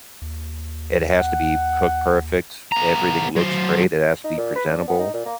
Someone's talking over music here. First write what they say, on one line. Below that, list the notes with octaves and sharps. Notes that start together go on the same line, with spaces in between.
It has to be cooked perfect. Everything looks great, it has to be presentable
D#2
F#5
B3 A#5
F#3 C5
D#4
A#2
B4
D4
B3
D#4
A#2
A#3